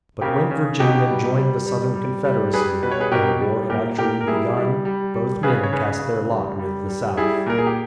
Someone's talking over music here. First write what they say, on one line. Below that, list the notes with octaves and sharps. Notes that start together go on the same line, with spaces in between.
But when Virginia joined the Southern Confederacy, and the war had actually begun, both men cast their lot with the South.
C#3 G4 A#4
C#3
B2 D#4 G4
G3
G3
G3
G3
G3
G3 G#4 B4
B2 B4
C#5
G#4 B4
B2 G4 A#4
G3
A#2 G4 A#4
A#2 G4 A#4
A#4
G3 E4 G#4
G3
G3
G3
C#3 G#4 B4
C#5
C#3 G#4 B4
C#3
G3
G3
G3
G3 E4 G#4
A#2 A#4
G#4
G4